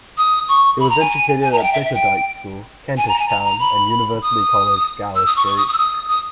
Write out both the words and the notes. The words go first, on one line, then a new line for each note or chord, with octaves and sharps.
He was educated at Bickerdike's school, Kentish Town, and University College, Gower Street.
D#6
C#6
B5
A#5
G#5
G#5
A#5
E5
G5
E5
E5
G5
G#5
A#5
G#5
A#5
A#5
B5
D#6
E6
D#6
C#6
C#6
D#6
D#6
E6
D#6
D#6